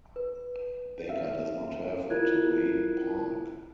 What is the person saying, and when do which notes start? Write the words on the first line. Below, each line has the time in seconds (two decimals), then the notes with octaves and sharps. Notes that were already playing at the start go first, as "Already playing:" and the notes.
Baker does not have a terrain park.
0.16 B4
1.09 E5 F5
2.10 E4 F4 A#4 F#6 G#6